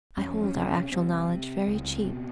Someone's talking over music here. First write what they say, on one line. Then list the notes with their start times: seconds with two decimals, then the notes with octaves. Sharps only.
I hold our actual knowledge very cheap.
0.17 F2 C#4
0.43 C#4
0.55 C3
0.67 C#4
0.92 C2 C4
1.29 C3
1.67 C#2
2.05 B2